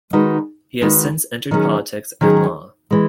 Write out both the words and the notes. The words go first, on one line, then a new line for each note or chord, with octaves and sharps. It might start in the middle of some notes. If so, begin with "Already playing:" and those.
He has since entered politics and law.
D#3 G#3 D#4 F#4 B4
D#3 G#3 D#4 F#4 B4
D#3 F#3 C#4 G#4
D#3 F#3 C#4 G#4
E3 G#3